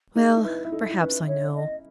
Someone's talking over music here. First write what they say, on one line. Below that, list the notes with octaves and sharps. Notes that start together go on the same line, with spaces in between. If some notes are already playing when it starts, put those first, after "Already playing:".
Well, perhaps I know.
D#4 G#4
D#4
E4 B4
E4
D#4 A4
E4
D#4
C#4 B4
C#5
D#5